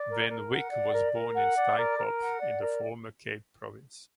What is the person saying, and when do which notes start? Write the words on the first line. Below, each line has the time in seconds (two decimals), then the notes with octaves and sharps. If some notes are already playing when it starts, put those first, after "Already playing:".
Van Wyk was born in Steinkopf in the former Cape Province.
Already playing: D5
0.09 A#4
0.29 A#4
0.51 F#5
0.71 D5
0.93 A#4
1.13 A#4
1.35 F#5
1.56 D5
1.77 A#4
1.97 A#4
2.19 F#5
2.40 D5
2.61 A#4